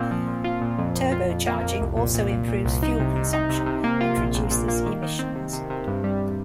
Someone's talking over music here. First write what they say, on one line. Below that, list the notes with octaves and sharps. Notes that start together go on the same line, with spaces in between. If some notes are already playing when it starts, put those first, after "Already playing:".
Turbocharging also improves fuel consumption and reduces emissions.
Already playing: A#2 A#3 C4
F3
A#2
F4
A#2
F2
F2
F4
F2
A#3
F2
C2
A#2
A#2
A#2
A#2
C2
D#4
C3
C3
D#4
C3
C3
A#3
F4
A#1
A#1
A#2
A#3
D#3
D#3
C4
C3
C3
C3
G2
G3